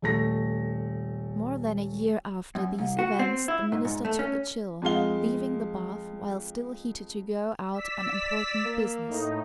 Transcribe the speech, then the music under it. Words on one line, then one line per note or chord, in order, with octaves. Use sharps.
More than a year after these events the minister took a chill, leaving the bath while still heated to go out on important business.
D#1 A3 A#6
F#2
C2
F#4
C4
E4
G#2
G#2
A3
C#4
F2 G#3 F5 G7
D5 E6 B6
A#3
A2 D#4